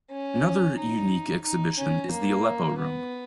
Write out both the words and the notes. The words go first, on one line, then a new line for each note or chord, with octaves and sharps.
Another unique exhibition is the Aleppo room.
C#4
D#4
D#4
C#4
A#3
B3